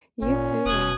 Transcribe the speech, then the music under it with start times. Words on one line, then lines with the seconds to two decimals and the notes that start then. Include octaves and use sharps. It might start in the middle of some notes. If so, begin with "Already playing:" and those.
You too.
0.22 G#1 A#2 C#4
0.66 F1 B2 D#6 F#6 G#6